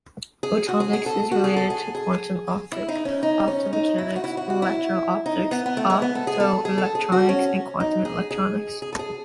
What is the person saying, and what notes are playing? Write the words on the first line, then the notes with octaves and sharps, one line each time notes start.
Photonics is related to quantum optics, optomechanics, electro-optics, optoelectronics and quantum electronics.
G#4
F#4
G#4
G#4
A4
F#4
G#4
A4
G#4
G#4
E4
D#4
C#4
D#4
C#4
D#4
E4
F#4
E4
F#4
F#4
E4
D#4
B3
B3
A3
G#3
B3
A4
G#4
A4
G#4
A4
G#4
F#4
C#4
D#4
G#4
G#4
G#4
A4
G#4